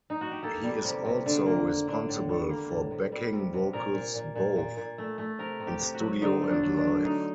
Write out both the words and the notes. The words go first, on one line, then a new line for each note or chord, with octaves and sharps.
He is also responsible for backing vocals both in studio and live.
D#4
F#4
G4
A#3 A4
G3
C3
C3
D3
A#3
A#3
D3
A2
G3
A#3
A2
C3
G3
C3
C3
A#2 A#4
A#2
A#2
A#2
A#2
A#2
A3
A3
C3 A#4
C3
G4
C3
F#4
F#3
D3 D#4
A3
D4
F#3
D4
D3
D3 D#4